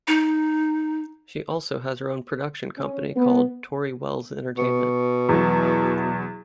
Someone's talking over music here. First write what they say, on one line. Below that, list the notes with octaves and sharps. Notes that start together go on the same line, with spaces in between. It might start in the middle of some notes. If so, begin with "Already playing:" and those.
She also has her own production company called Tori Welles Entertainment.
D#4
C#4
B3
B2
E2 F#3